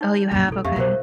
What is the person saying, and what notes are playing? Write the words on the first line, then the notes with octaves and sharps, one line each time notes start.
Oh, you have? Okay.
D#4 C#5
D#1 F#2
B1 E4 A4
F2 G4 E5 F5
B2 G3 F4 A#4 C5